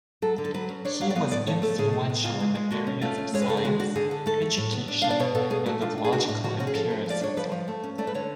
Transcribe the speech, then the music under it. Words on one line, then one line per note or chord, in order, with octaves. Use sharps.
He was influential in the areas of science, education, and of logical empiricism.
F#3 A4
D3
A4
F#3 B4
C#4
D4 C#5
F#3 F5
D5
B3 F5
A2 D5
A3 C#5
A3 A4
A2 G#4
A2
B3
C#3 F4
G#3
G#3
D3 F#4
C#4
A3 F4
C#4
G#3 C#5
B4
C#3 A4
G#4
G#3 F#4
D4 F#4
D3 G#4
D3
A3 A4
A3
A2
B3
D4
D4 F5
D5
B2 C#5
B2 A4
A3 G#4
A3 F#4
D4 F4
D4
G#4
D4 F#4
A2
F3 F#4
C#4 F#4
G#4
F3 A4
F3
F3 D5
D4 C#5
F3 B4
F3
A3
C#4
A3 D5
B4
D3 C#5